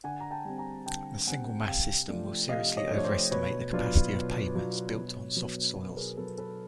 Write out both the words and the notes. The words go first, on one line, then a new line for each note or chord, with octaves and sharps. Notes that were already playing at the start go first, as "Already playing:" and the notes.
The single-mass system will seriously overestimate the capacity of pavements built on soft soils.
D3 F#5 G#5
A#5
G5 A5
G3 C4
G#5 A#5
D3 G5 A5
G3 C4 F#5 G#5
C3 F5 G5
F3 A3 D4 F4
C3 D#5 F5
C#5 D#5
F3 A3 D4 F4
C#5
C5 D5
B2 B4 C#5
F#3 B3 D4 F4
B2
F#3 B3 D4 F4
B2
F#3 B3
B2
G#4 A#4
F#3 B3 A4 B4
A4 B4